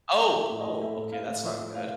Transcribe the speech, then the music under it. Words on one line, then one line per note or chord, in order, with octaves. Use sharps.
Oh! Oh, okay. That's not good.
A3 G5
F3
E5
A2
D#5
A2
A3 E5
A2
A2 F5
A2
F3 E5
A2
A3 F5